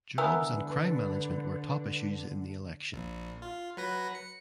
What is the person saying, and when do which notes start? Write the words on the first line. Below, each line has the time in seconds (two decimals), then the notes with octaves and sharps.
Jobs and crime management were top issues in the election.
0.18 D3 E3 B3 A#4 B4 G#5 D#6 E6
2.93 A#1
3.42 F4
3.77 F#3 B4 A#6
4.15 C#7